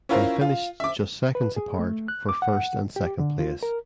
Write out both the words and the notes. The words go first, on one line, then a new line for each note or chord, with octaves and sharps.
They finished just seconds apart for first and second place.
C#4 E4 F4 A#4 C5
F4
E5 D6
B4
G#4
A3
F#6
D6
F#5
G4
D3
F4
A#4